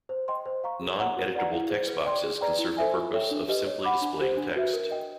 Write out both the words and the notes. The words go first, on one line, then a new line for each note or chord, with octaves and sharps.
Non-editable text boxes can serve the purpose of simply displaying text.
C5
D#5 G5 C6
C5
F5 A#5 C#6
G#4
C#5 F#5 A#5
F#4
B4 D5 F#5 A#5
E4
G#4 C5
B4
D5 G5 C6
G#4
B4 D5 G5 A#5
E4
A4 C5 E5 G#5
F4
A4 C#5 E5 G5
D4
G4 B4 D#5
C#5
F#5 B5 D6
D4
G4 C5
D4
F#4 B4 E5
A#4
D#5 G5